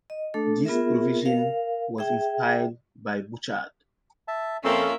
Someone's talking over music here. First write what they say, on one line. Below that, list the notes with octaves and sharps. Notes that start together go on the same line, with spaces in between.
This provision was inspired by Bouchard.
D#5
A3 D4 A4
B3 F4 G#4 A#4 E5
A#4 F5
G#4 E5 G5
E5 A5
F2 A#3 C4 C#4 F4 A4 E5 C#6